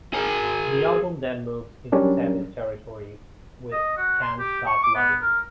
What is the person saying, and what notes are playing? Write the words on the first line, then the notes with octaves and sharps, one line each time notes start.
The album then moves into Sammy's territory with "Can't Stop Lovin' You".
G#4 A#4
F#3 G3 C#4 D4 A#4
D#5
F#4
C6
G4
C#6
D6
B3
A#4